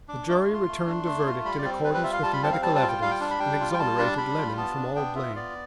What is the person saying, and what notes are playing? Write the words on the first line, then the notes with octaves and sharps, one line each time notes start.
The jury returned a verdict in accordance with the medical evidence and exonerated Lennon from all blame.
D4 D6
A3 D6
C6
F4
C6
A3
D4
A3
F4
G3 B5
D5
C4
G3 B4
B4
F4 E5
F5
G3 A5
B5
C4 A5
F5
G3 A5
A5
F4
G5
G3 F5
G5
D4
B5
G3 G5
F4
G5
G3 A5
D4
G3 B5
F4
B3 A5
D4
B3 G5
F4 E5
B3 D5